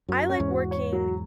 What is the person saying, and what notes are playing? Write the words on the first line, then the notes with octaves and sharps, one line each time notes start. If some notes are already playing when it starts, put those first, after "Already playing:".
I like working
F#2 F#3
C#4
E2 G#2
F#4
C#5
F#3